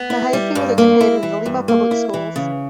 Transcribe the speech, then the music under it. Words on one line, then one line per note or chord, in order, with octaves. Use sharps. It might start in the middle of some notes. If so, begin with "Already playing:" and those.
Mehaffey was educated in the Lima public schools.
Already playing: B3
E4
G3
G2
A#3
E4
E3
G2
A#3
E4
E3
C#3